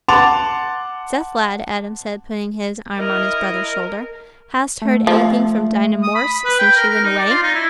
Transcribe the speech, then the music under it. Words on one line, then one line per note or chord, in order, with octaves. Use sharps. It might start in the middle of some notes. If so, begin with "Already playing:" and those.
"Seth, lad," Adam said, putting his arm on his brother's shoulder, "hast heard anything from Dinah Morris since she went away?"
F#5 A5 C6 D6 A6 F7
E4 A#4 D#5
A3
F3
D#6
B5
B5
B4
G5
A#4
A#4
D#4
D5
F4
D#4
E4